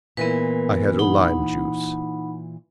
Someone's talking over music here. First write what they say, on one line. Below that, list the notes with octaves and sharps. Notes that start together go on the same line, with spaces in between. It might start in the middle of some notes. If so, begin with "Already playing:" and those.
I had a lime juice.
A#2 E3 B3 E4 A#4 B4
D#4 F#5 B5